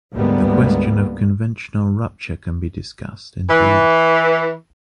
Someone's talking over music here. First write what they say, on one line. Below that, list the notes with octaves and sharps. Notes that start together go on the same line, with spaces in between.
The question of conventional rupture can be discussed, indeed.
D2 G#2 G3 G#3 A#3 B3
E3